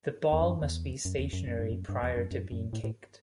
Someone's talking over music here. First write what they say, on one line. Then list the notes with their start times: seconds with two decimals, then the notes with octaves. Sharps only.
The ball must be stationary prior to being kicked.
0.33 E2
0.41 F#2
0.63 E2
1.05 F#2
1.19 E2
1.33 F#2
1.47 F#2
1.59 G2
1.72 F#2
1.89 G2
2.03 E2
2.17 F#2
2.31 F#2
2.52 F#2
2.73 A2
2.84 A2